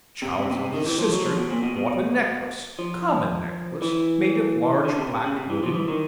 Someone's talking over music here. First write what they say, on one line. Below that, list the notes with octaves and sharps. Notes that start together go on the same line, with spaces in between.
Child's eldest sister bought a necklace--common necklace, made of large black wooden beads.
C3
C3
B2
C3
D#3
E3
F3
F#3
F3
B2
A#2
B2
B2
F3
E3
D3
C3
C#3
C3
E3
F3
E3
D#3